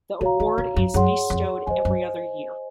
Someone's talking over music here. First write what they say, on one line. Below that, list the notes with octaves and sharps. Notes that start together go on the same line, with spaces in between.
The Award is bestowed every other year.
C#3 F#4 C#5 F5 A#5
D#3
C#3
F#2
F#2 G#4 C#5 F#5 C6
F2
F2 C5 D#5 G#5
F#2